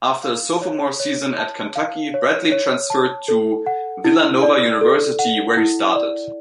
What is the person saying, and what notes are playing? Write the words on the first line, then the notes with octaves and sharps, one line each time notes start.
After his sophomore season at Kentucky, Bradley transferred to Villanova University where he started.
F5
C#5
C#5
A5
F5
C#5
C#5
A5
A4
F#5
E4
D5
A4
F#5
E4
D5